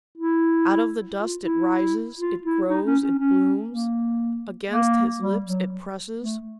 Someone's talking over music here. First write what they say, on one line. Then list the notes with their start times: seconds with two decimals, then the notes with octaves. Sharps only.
Out of the dust it rises, it grows, it blooms. Against his lips it presses.
0.18 E4
1.18 F4
1.42 E4
2.18 F4
2.43 E4
2.69 D#4
2.86 C#4
3.03 C#4
3.19 C#4
3.69 A#3
4.70 A#3
5.20 G3
5.46 F#3
6.21 A3